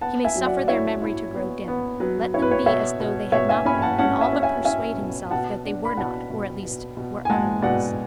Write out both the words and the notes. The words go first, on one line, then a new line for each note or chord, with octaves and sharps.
He may suffer their memory to grow dim, let them be as though they had not been and all but persuade himself that they were not or at least were otherwise.
B3 F#5 A5
E5 G#5
F#3
D5 F#5
D5
E4 C#5 E5
E4
B3
B3
F#3 B4
E4 C#5
B4
C#5
B2 C#5 E5
B2
B2 C#5 E5
E5 G#5
C#4 G#5 B5
F#5 A5
C#4 F#5 A5
E5 G#5
C#4
E5 G#5
C#4 E5 G#5
B2
B2 F#5 A5
D4
B5
B2 F#5 A5
B2
B2
B2
G#5
G#3 F#5 A5
B2 D5 F#5